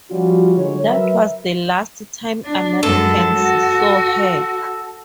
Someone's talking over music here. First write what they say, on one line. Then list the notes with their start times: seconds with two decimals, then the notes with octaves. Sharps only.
That was the last time Americans saw her.
0.10 F3 G3 C#4 F4 F#4
0.56 D3 F#3 G#3 C#5
0.88 F#3 A#4 B4 E5
2.45 D4
2.83 F#2 G#3 A4
3.36 F#4